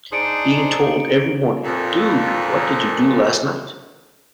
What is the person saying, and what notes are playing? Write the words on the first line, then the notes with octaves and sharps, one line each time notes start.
Being told every morning, Dude, what did you do last night?
D4 D#4 G#4 C5 D5 C#7 D7
F2 A#2